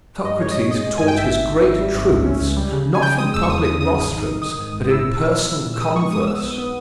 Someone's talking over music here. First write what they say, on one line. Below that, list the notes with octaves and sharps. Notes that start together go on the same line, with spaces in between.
Socrates taught his great truths, not from public rostrums, but in personal converse.
G2 D#5
G#3 C#5
D#5
G2 C#5
G#3 D#5
G#3
G2 G#5
G5
G#1 E5
G#1
G#1
G#1
G3
G#1
C#2
C#4
C#2
G3
C#3
C#3
G#5
C#3 G5
G#3 D#6
E2 E6
C#6
C#3 D#6
E2 D#6
C#3 D#6
G#1
D#3
D#3
D#3 D#6
G#2
G#1
E4 E6
A#2
E4
A#3
E4
A#2
E6
G#3 D#6
B3 C#6
G#3 D#6
B3 E6
B1
D#6
B3